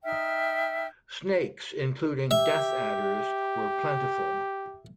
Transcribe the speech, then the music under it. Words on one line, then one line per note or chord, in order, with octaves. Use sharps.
Snakes including death adders were plentiful.
D#4 E5 G5 F6
G4 E5